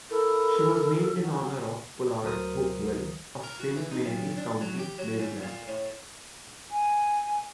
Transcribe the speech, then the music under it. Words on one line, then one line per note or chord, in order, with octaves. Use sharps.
She was named in honour of Pollard Hopewell of Saint Mary's county, Maryland.
E4 A4 A#4
F#3
D2 F#3 A#4 C5 D#6
A#4
F#4
E3
D#4
B1
D4
F#3
G4
F#3
G#2
A#2
A2
G#5